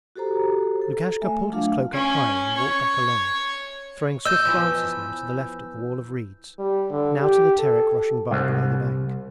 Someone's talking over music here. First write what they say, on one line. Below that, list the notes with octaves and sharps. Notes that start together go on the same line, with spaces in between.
Lukashka pulled his cloak up higher and walked back alone, throwing swift glances now to the left at the wall of reeds, now to the Terek rushing by below the bank.
F#4 G4 A4 C5 A#5
A4
A3 E5 G#5
F#3 A3 D4 F4 F5
C#4
C#5
D#5 E6 G6
E2 E3 F3
G3
D3
G4
A4
C2